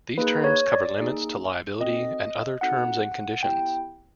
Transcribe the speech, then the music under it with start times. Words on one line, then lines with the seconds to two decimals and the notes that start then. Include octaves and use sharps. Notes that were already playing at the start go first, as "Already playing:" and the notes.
These terms cover limits to liability and other terms and conditions.
0.18 A#3 D#4 G#4 B4
0.44 C#5
0.72 D5
0.99 A#3 D#4 G#4
1.80 C4 D#4 F#4 A4 D#5
2.61 C4 D#4 F#4 A4 F#5
3.43 B3 E4 G4 G5